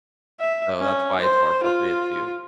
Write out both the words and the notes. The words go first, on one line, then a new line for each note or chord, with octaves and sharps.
So, that's why it's more appropriate to
E5
C#4
C5
F4